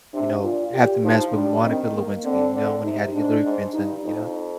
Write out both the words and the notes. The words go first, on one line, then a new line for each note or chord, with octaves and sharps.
you know, have to mess with Monica Lewinsky, you know, when he had Hillary Clinton, you know?
C3 D4
A#2 F4
A#2 G4
F3 D#4
G3 D4
D#3 C4
A#3
D3 C4
D3
C3 D#4
G#2 D4
G#2
G2 D#4
F2 D#4